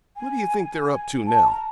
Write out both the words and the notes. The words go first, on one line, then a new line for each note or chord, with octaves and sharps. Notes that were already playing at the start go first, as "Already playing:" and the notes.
'What do you think they're up to now?'
G#5
G#5
A5
A#5